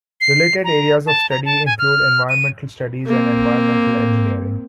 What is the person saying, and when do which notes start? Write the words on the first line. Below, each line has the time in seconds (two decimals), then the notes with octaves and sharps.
Related areas of study include environmental studies and environmental engineering.
0.21 C7
0.64 A#5
1.07 A5
1.30 A#5
1.45 A5
1.66 G#5
1.79 F6
2.29 D#7
3.06 A#3 C4